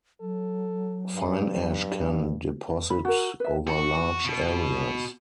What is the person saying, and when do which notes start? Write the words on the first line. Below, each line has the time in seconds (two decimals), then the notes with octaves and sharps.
Fine ash can deposit over large areas.
0.21 F#3 A4
1.15 G2
2.90 B5
3.05 F#4 A#4
3.40 B4 E5
3.67 F#4
4.25 B2